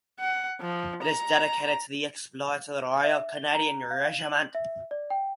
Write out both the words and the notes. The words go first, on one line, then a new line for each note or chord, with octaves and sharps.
It is dedicated to the exploits of The Royal Canadian Regiment.
F#5
F3
A#5
E5
G7
A#5
F5
F#7
E5
D5
G5